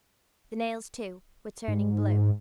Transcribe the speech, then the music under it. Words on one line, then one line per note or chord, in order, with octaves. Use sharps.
The nails, too, were turning blue.
G#2